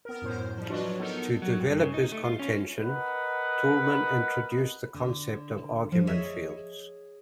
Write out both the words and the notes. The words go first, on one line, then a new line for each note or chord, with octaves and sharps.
To develop his contention, Toulmin introduced the concept of argument fields.
B3 A#4
F#2 A2 C5
F3 G3
D4 F4 F#4 B4 D5 D#5
F#3
B3 D#4 A4 A#4
F#3
G2
C#3
D#4
A3
F4
C#4
A#4 B4 D#5 F#5
D3
F3
G#4 C#5 D#5 E5